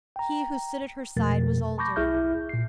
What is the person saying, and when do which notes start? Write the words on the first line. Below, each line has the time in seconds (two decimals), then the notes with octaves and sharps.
He who stood at her side was older.
0.16 G5 A#5
1.16 F2 B2 F3 A3 A#4 A6
1.78 A5 B5 C#6 D6 G6 A#6
1.96 B1 E4 G#4 E5 F6 G6
2.49 A#2 C7